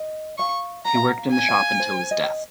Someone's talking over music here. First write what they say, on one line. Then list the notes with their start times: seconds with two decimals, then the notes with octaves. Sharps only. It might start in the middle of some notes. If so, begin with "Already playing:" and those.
He worked in the shop until his death.
Already playing: D#5
0.38 F5 C#6
0.85 F#5 A#5
0.95 F5
1.04 F#5
1.17 F5
1.33 G#5
1.49 F5
1.80 C5
2.11 D#5